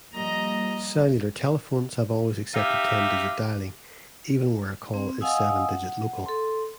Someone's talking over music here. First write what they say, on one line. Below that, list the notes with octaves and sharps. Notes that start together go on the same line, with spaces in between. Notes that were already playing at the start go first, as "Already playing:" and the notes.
Cellular telephones have always accepted ten-digit dialing, even where a call is seven-digit local.
F3 G3 A#3 D#5 A#5
D#4 G4 E5 F5
C4
D#5 F5 F#5 G#5 D#6 E6
F#5
A4 C6